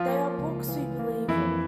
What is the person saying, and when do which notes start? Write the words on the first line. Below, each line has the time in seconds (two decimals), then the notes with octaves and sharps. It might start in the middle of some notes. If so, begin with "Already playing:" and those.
They are books we believe in.
Already playing: F3 F4
0.08 A#3
0.38 C#2
0.68 E3
0.99 A#3
1.28 F2 E3 E4